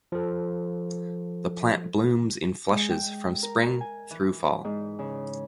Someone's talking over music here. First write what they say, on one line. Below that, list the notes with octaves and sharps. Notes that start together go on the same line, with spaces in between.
The plant blooms in flushes from spring through fall.
F3 A4
G#3
G5
A#4
G#5
E3
G#2
C#3